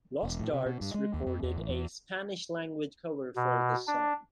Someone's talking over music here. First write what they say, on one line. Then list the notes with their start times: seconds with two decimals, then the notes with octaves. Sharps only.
Los Darts recorded a Spanish-language cover for this song.
0.23 E1
0.40 A2
0.53 C3
0.66 B2
0.81 G2
0.94 G#3
1.14 D#2
1.26 F2
1.43 E2
1.56 A1
1.69 E2
3.36 B2
3.87 D4